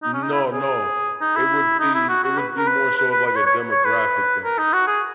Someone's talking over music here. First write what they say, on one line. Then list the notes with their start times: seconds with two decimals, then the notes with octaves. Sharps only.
No, no. It would be It would be more so of, like, a demographic thing,
0.03 D#4
0.13 C#4
0.23 D#4
0.32 E4
0.52 G#4
1.21 D#4
1.36 E4
1.79 D#4
1.94 E4
2.09 F#4
2.24 F#4
2.38 B4
2.57 A#4
2.67 B4
2.97 B4
3.12 B4
3.26 B4
3.35 C#5
3.46 C#5
3.71 C#5
3.84 B4
4.44 A#4
4.58 D#4
4.73 F#4
4.87 G#4